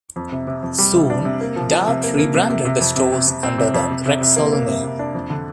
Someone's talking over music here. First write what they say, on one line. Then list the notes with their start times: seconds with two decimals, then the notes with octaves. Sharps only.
Soon, Dart rebranded the stores under the Rexall name.
0.16 F2
0.32 C3
0.47 C3
0.63 F2
0.78 G3
0.94 C3
1.10 D4
1.25 C3
1.41 A#3
1.56 F3
1.72 F3
1.88 C3
2.03 A#3
2.18 A#3
2.34 C3
2.50 C3
2.65 C3
2.80 F2
2.96 C3
3.12 C3
3.27 C3
3.43 C4
3.58 C3
3.74 F2
3.90 C3
4.06 C3
4.21 C3
4.36 A#3
4.53 A#3
4.68 C3
4.83 C3
4.99 D4
5.14 F2
5.30 D3